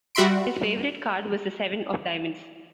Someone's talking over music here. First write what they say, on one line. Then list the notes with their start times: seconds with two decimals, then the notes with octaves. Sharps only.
His favourite card was the seven of diamonds.
0.15 G3 F#4 E5 B5 C6 D7